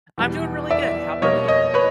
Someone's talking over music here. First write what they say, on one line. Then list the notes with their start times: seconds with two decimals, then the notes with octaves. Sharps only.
I'm doing really good. How about you?
0.18 E2 B2 G3
0.71 D5 E5
1.22 B2 G3 A#3 C#5 D#5
1.48 C#5 D#5
1.74 B4 C#5